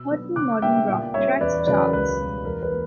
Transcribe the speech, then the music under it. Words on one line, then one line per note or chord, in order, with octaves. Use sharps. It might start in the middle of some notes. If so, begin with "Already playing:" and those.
Hot Modern Rock Tracks charts.
Already playing: B2 E6
F#3 B3 D4
C#3 D6 F#6
G3 B3 D4 E5 G5
A#2
G3 C#4 C#5 E5
E2 B4 D5
C#3 F#3 C#4 B4 D5
A#4
C#2 B4
B2 G3
E2 A#4
B4
A#3